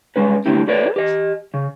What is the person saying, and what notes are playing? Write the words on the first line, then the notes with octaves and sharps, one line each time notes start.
"You won't!"
G2 G#3 C#4 B4
D3 A3 E4 G4
F#4 A4 B4 C#5 D5
G4 D#5
C#3